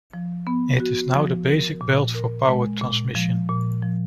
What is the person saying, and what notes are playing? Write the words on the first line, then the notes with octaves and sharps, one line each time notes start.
It is now the basic belt for power transmission.
F3
B3
F#4
F3
A#4
A#2
A#4
G#3
A#2
F3
A#2
F3